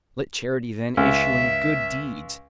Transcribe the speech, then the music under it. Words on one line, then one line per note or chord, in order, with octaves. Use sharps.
Let charity then issue in good deeds.
C#2 E5